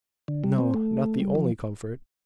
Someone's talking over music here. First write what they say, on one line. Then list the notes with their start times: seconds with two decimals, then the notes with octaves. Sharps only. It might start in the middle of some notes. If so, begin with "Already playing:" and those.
No; not the only comfort.
0.28 D3
0.44 G3
0.58 C4
0.74 A3
1.20 G3
1.35 F3